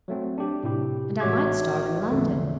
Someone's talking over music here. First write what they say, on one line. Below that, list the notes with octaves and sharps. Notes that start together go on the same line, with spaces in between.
'And I might starve in London.
F#3 A3 C4
D4 G4
A2 C3 E4 G4
A1 F#4 C#5 E5 D6 G#6
A#1 E2 D3 F#3 A3